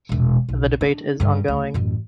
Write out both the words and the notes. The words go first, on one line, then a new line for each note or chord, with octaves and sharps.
The debate is ongoing.
E1 A#1
B1
D4
G2 D3
D2
A1 F#2